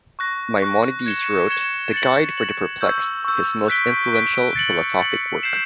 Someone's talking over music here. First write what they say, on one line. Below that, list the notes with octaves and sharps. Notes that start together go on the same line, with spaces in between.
Maimonides wrote "The Guide for the Perplexed" - his most influential philosophic work.
C#6 F#6 A#6
C#6 F#6 A#6
G#6 C#7 E7 G7
G#6 C#7 E7 G7
A6 C#7 F#7
A6 C#7 F#7
C#6 E6 G6
C#6 E6 G6
F#6 B6 D7 G7
F#6 B6 D7 G7
A6 C#7 F#7
A6 C#7 F#7
G6 C7 E7